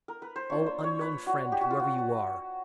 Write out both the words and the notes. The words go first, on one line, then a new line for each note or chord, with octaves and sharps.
Oh, unknown friend! whoever you are.
A#4
B4
C5
A#3 D4 F4 C#5
C5
C#5
B4
F#4
G4
F#4
F4
F#4